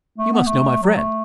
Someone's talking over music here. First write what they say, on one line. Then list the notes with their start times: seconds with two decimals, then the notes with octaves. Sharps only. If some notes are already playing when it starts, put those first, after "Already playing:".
You must know my friends....
0.18 A3
0.33 B3
0.46 A3
0.82 F#3
0.97 A3